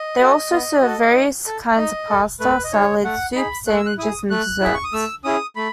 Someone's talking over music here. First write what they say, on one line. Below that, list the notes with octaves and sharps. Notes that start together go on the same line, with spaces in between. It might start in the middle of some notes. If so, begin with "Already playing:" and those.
They also serve various kinds of pasta, salads, soups, sandwiches and desserts.
Already playing: D#5
F#4 A4
B3
F#4 A4
D#4
A4
D#4 D#5
A4
A3 B4
D#5
D#4 G#4 C#5
A3 F#5
D#4 G#4 B5
A3 F#6
E6
F#6
E4 G#4 D#6
A3 F#6
E4 G#4 B5
C#6
D#6
A3 E6
C#4 E4 G#4 D#6
A3 B5